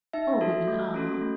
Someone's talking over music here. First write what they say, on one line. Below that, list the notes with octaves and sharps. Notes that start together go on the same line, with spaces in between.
All women are.
D#4 E5
F#4 A4
A3
C#4 F#4 A4
A3